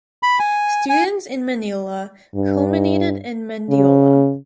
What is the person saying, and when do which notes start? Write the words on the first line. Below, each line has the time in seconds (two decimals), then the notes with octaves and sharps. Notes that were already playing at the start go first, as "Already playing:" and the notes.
Students in Manila culminated in Mendiola.
0.23 B5
0.39 G#5
0.89 G#5
2.35 G2
3.69 C#3